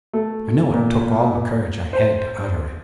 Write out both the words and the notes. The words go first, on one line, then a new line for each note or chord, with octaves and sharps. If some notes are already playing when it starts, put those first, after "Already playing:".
I know it took all the courage I had to utter it.
A3
A#2
C5